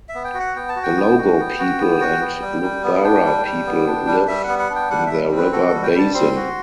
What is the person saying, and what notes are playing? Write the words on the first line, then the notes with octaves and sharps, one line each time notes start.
The Logo people and Lugbara people live in the river basin.
E5
B3
G5
F#4
F#5
B3 G5
A5
F#4
G5
B3
F#4
B3
F#4
B3
F#4
B3
G3
G3
B3
D4 G5
G3
G3
B3
D4
G3
G3 E5
B3 F#5
F#5
D4
G5
G3 F#5
E5
G3
C4
B4
F#4 A4
A4
G3
G5
G3 A5
C4 C6
F#4